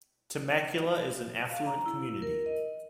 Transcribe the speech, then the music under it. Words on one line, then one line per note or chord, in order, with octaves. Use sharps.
Temecula is an affluent community.
F5
A#5
E4
A#4
D#5